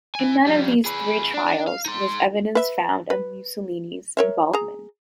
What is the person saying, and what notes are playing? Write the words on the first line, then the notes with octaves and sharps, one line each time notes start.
In none of these three trials was evidence found of Mussolini's involvement.
E3 G#5
F2 G3
G#4 B4
D4
F5
D#4 C6
B4 E5
B4
A#4 C#5 E5
G#4 A#5